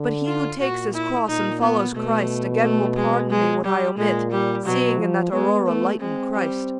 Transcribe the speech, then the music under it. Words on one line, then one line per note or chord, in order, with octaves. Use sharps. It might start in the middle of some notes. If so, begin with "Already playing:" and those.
But he who takes his cross and follows Christ Again will pardon me what I omit, Seeing in that aurora lighten Christ.
Already playing: D3
F4
A#2 F#4
E4
A#2 D#4
B3
B2 A3
A3
G#3
G#3
G3
A#2 G#3
G3
B2 F#3
F3
G#3 B3
A3
G#3 C4
G3